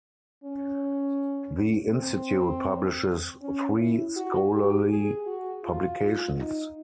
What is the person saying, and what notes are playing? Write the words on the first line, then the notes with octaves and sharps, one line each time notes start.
The institute publishes three scholarly publications.
C#4
C4
C#4
E4
F#4
G4
G#4
F#4
F4
D#4